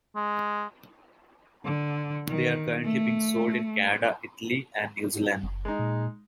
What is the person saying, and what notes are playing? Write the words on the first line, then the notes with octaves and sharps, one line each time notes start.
They are currently being sold in Canada, Italy and New Zealand.
G#3
D3
D#3
A3
F#1
G#3 D#4
A#2